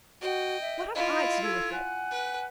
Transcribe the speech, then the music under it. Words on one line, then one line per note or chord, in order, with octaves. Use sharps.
What have I to do with it?
F#4 D#5 G5
E5
E4 F4 D#5 F5 B5
A4 E6 G#6
F#5 G#5 F#6
B4